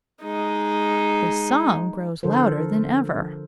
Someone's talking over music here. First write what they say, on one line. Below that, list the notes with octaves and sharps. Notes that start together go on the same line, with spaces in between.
The song grows louder than ever.
G#3 D#4
D3 F3 A4 A#4 C5